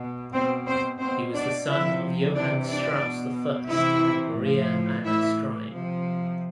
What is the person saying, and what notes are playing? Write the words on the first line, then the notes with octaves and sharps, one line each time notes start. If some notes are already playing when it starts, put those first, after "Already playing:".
He was the son of Johann Strauss I and Maria Anna Streim.
Already playing: B2
B2 C4 C5
C4 C5
B2 C4 C5
D4 D5
C3 F3 E4 E5
C3 E3 D4 D5
D4 D5
B2
C3 E3 E4 E5
A2 F3
A2 E3 E4 E5
C3 F3